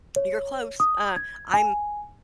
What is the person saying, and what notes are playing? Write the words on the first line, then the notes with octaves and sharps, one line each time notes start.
You're close. Uh, I'm
C#5
D#6
G#6
G#5